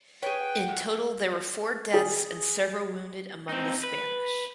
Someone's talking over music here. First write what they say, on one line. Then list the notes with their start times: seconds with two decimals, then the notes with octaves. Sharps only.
In total there were four deaths and several wounded among the Spanish.
0.22 G#4 B4 C#5 G5
0.41 F#5
0.68 A2
1.94 G#4
3.49 C4 D#4
3.84 B4